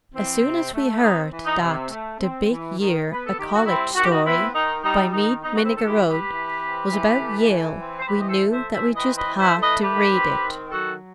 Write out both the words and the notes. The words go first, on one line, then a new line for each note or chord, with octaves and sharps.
As soon as we heard that "The Big Year--A College Story" by Meade Minnigerode was about Yale we knew that we just had to read it.
E3 C4
C3
A3
C4 D#4
E3
D#4
C3
A3
C4
E3
D#3
B3 B4
A4
D#3 G4
F#4
G3 C4 E4
D#3 F#4
G4
D#4 F#4
B3 C4 E4
D#3 D#4
G3 D#4
D#3 D#4
B3 D#4
F#4
C4 E4
D#3
A4
E4 G4
G3
G4 B4
E3
C4
E3
A3
E3
C4
C5
E3 G4 B4
D#5
A4 C5
A3
C5 E5
E3
C5 E5
C4 B4 D#5
B4 D#5
E3
C5 E5
A3
B4 D#5
D#3 G4 B4
C4
D#3
F#3 F#4 A4